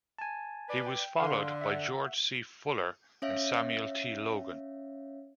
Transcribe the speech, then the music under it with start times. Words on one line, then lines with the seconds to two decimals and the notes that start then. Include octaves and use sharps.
He was followed by George C. Fuller and Samuel T. Logan.
0.19 G#5 A5
0.67 B4 D5
0.86 G5
1.20 D3 F5 F#5 C6
1.61 E5 F#5
3.22 C#4 C#5 E5 F5